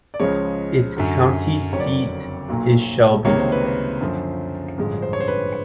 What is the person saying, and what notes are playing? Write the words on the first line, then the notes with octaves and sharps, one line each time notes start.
Its county seat is Shelby.
D5
C#2 C#3 F3 G#3 C#5
F#2 D3 F#3
F#1 F2 D3 F#3 C#5
D5
C#5
B1 A#2 F#3 A#3
C#2 C3 D#3 G3 A#3 C#5
C5
B4
C5
F#2 D3 F3
A1 G2 D3 F3 G#3
C5
C#5
C5
B4